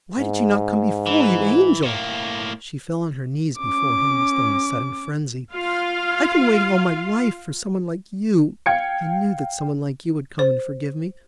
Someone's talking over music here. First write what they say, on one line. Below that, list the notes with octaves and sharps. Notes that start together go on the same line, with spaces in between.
Why did you not come before, you angel?" She fell on her knees before him as though in a sudden frenzy. "I've been waiting all my life for some one like you, I knew that some one like you would come and forgive me.
G#2
E3
A2 A#3
C#4 D6
F4 F5
F5 G5 G#6 C#7
C5